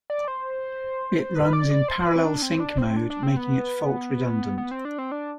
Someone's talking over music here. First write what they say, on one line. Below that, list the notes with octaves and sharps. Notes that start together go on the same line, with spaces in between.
It runs in parallel sync mode making it fault redundant.
D5
C5
B4
D5
D5
C5
C5
B4
C4
D4
C4
D4
C4
D4
D4
C4
B3
B3
C4
D4
C4
D4